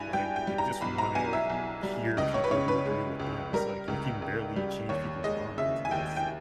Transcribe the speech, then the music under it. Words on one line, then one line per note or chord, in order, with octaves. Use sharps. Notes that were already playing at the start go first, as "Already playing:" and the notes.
like, they just wanna hear people who agree with them, it's like you can barely change people's minds unless
Already playing: G2 G#5 B5
G3 G5
G5
G3
A#5
B1 B5
A#5
B1 G#5
E5
B1
G3
C#2 D#5
C#5
B4
C#3 C#5
B4
G#3
C#2
G3 A#4
C#2
C#2
G3
D#2 C#5
G#3 D#5
C#3 E5
G#5
D#2 G5
G5